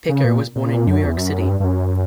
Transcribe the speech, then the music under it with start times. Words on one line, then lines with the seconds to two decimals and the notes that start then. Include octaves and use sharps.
Picker was born in New York City.
0.09 C#3
0.24 A#2
0.56 A#2
0.87 F#2
1.06 E2
1.17 F#2
1.49 G2
1.60 G2
1.64 F#2